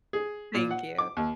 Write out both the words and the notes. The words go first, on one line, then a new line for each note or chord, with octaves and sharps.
Thank you.
G#4
A#2
F#5
D6
D#2